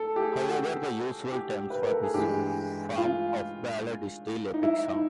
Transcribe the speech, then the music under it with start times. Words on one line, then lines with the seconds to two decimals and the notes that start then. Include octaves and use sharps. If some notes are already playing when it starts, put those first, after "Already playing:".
However, the usual term for this form of ballad is still epic song.
Already playing: A4
0.16 G4
0.22 G#4
0.49 F#4
1.32 G4
1.70 B4
1.82 A#4
1.92 A4
2.03 G#4
2.14 G2 E3 G#3 G4
2.97 F4
4.54 D#4
4.63 E4
4.91 D#4